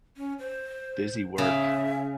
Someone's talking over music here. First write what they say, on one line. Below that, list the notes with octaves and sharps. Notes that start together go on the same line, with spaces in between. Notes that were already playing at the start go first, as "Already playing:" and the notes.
busy work
C#4
C5
C#3 E5